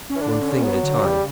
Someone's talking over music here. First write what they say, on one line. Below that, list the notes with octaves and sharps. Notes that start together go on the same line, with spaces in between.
One thing at a time.
C#4
E3
D3 D4
C#4
C#4
F#3 B3
D3
F#3
C#3 G3